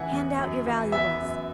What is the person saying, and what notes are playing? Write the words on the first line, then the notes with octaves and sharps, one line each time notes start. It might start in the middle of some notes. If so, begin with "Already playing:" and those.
"Hand out your valuables!"
Already playing: C#3 E3 E5 F#5 G#5
E2
F#2
E3
B3 E5
F#2